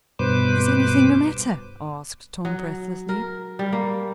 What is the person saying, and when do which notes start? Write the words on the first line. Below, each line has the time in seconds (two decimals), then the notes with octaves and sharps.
"Is anything the matter?" asked Tom, breathlessly.
0.19 G2 B2 B4 C5 D6
2.45 F#3
3.09 A#4
3.59 G3
3.72 A#3